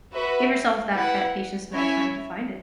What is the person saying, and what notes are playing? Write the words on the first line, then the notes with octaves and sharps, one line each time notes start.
give yourself that that patience and that time to find it.
F#4 B4 E5
E4 B4 F#5
C#4 E4 C#5 E5 G#5